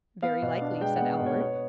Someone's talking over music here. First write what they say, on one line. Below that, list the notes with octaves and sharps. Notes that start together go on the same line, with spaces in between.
"Very likely," said Albert.
B3 F5
B2
D4
G#3 G5
B3 F#5
B2 C#5
B3 C#5